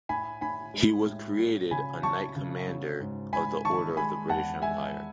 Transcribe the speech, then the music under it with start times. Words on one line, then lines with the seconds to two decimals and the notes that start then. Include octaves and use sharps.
He was created a Knight Commander of the Order of the British Empire.
0.09 A2 G#5 B5
0.41 A2 G#5 B5
0.74 G#3
1.06 A2
1.39 F#3
1.71 C#3 G#5 B5
2.03 F#3 A5 C#6
2.36 C#3
2.68 F#3
3.00 G#2
3.33 G#2 G#5 B5
3.64 D#3 A5 C#6
3.97 G#3 G#5 B5
4.29 E2 F#5 A5
4.62 G#3 E5 G#5